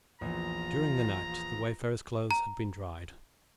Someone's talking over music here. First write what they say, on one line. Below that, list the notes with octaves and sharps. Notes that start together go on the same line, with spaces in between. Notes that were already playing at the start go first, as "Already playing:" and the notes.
During the night the wayfarer's clothes had been dried.
A#1 E2 F4 A#5
A#5